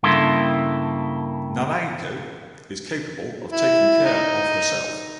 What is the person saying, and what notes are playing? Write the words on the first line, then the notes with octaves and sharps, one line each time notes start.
Nanako is capable of taking care of herself.
G2 C#3 A#3 E4 A4 C6
E4
D#4